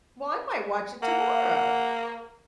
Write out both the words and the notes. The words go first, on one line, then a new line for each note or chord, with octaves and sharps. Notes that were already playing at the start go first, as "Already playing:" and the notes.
Well, I might watch it tomorrow.
A#3 F#5